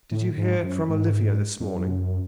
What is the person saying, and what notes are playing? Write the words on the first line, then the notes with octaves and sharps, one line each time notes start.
"Did you hear from Olivia this morning?"
A2
G#2
F#2
G#2
F2
F#2